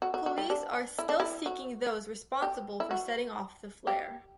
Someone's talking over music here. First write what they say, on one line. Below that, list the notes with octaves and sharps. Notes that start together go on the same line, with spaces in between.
Police are still seeking those responsible for setting off the flare.
F#4
F#4
F#4
G3
D4
E4
D4
E4
F#4
G4
E4
F#4
G4